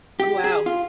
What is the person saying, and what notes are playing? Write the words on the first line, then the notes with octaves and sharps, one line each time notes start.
Oh, wow.
G4
G#4
F4